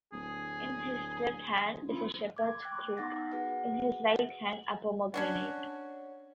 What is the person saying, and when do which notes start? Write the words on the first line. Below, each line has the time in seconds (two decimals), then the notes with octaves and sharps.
In his left hand is a shepherd's crook, in his right hand a pomegranate.
0.13 D1 G#4
2.37 D6 G#6
2.63 G5 D6 F#6
2.97 B3 D#4 F#5 A6 A#6
3.32 F#4 G#4 B4 F#5
5.14 C#4 D4 F#4